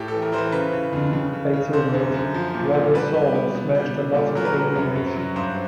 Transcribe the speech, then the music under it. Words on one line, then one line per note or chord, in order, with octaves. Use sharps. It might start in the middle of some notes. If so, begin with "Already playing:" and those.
He later wrote: "Rubber Soul" smashed a lot of alienation.
Already playing: A2 G4
E3 A4
A#4
E3 C5
B4
C#3 B4
C#3
F2
C#3
C#3
C#3
D3 C5
F#2
F#2
F3
A#2
A#2
G3 B4
G3
B2
B2
G3
G3
A#2 A4
F#3 A#4
B4
F#3
F#2
F#2
F#3
G2 C5